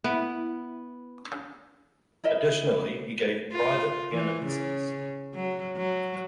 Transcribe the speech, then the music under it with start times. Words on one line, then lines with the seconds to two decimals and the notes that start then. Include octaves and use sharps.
Additionally he gave private piano lessons.
0.04 B3 E4
2.24 E4 A#4 D#5 E5
3.52 F4
4.12 E3
4.46 C#3
5.34 F#3
5.77 F#3